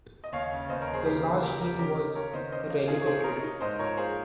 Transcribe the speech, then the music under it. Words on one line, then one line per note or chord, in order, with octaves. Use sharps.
The last team was relegated.
D#5
D#2 C#5 F5
C#3
D#2 C5 D#5
A#4 C#5
D#2
G#4 C5
C#3 G4 A#4
F3
D#2 G4 A#4
C#3 G4 A#4
C#4 G4 A#4
C#4
A#3 A#4 C#5
D#3 C5 D#5
C#4 C5 D#5
A#3
C3 F4 G#4
C#5
A#3 G#4 C5
D#4 A#4 C#5
D#4
G#2 C5 D#5
F3 A#4 C#5
A#3 G#4 C5